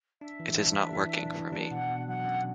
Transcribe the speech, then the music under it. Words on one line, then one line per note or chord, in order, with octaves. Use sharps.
It is not working for me.
D4 E5
E3
D4
D4
E3
D4
E3
D4
B2 F#5
B2
F#3 F#5
C#4